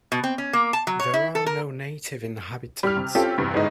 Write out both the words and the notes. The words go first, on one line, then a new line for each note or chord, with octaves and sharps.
There are no native inhabitants.
B2
C4
C#4
A#3
A5
F#3
C#5
E4
A4
A#4
G3 F6
C3
C4 C#4 F4 G4 A4
E2 G2 C3
G1 G#2 G#3 D#4